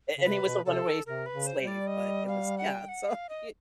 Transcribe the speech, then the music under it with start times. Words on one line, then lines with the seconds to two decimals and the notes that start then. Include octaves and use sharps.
A and he was a runaway slave, but it was yeah, so y
0.18 C#3
0.25 C3 B4
0.45 B2
0.66 C3 A4
1.06 C3 A#4
1.26 B4
1.33 C#3
1.47 C5
1.60 G3
1.67 D5
1.87 D#5
2.28 F5
2.58 F#5
2.68 G5
2.89 F#5
3.09 F5
3.29 D#5